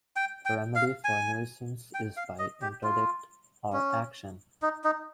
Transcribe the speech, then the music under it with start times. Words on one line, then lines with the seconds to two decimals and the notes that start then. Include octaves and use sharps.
The remedy for nuisance is by interdict, or action.
0.16 G5
0.45 G5
0.75 F5
1.05 G#5
1.94 G5
2.17 F5
2.39 D#5
2.62 G4
2.84 F4
3.73 C#4
4.62 D#4
4.84 D#4